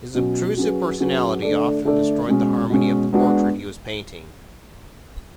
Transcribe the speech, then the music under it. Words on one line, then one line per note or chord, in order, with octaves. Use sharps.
His obtrusive personality often destroyed the harmony of the portrait he was painting.
B2 F#3 C#4
F#3 C#4 G#4 B4
F#3 C#4 G#4 B4
D3 A3 D4 A4 D5
D3 A3 D4 A4 D5
B2 G#3 C#4
B2 G#3 C#4
G#3 B3 D4 F#4